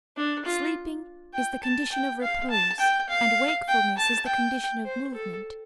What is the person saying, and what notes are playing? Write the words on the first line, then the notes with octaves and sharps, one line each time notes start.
Sleeping is the condition of repose, and wakefulness is the condition of movement.
D4
F4
G5
A5
G5
F5
A5
G5
F5
G5
A5
G5
C5
A4